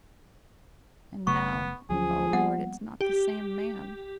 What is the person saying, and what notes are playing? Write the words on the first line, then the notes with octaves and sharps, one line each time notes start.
And now, O Lord, it's not the same man.
F#1 C#3 A3 B3 C#6
D2 F3 F#3 C#4 G#4
G3 A#3 B3 F#5
G4